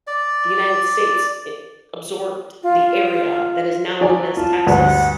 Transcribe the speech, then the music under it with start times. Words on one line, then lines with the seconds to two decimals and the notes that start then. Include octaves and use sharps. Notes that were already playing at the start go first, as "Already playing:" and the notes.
The United States, it absorbed the area that is now known as Texas.
0.07 D5
2.63 F4
4.01 F#3 D5 G#5
4.37 F4 A5
4.67 D2 G2 B4 F#5